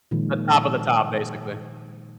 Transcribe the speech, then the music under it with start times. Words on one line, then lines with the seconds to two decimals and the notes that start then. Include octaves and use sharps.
The top of the top, basically.
0.11 A#2 D#3 F3 G#3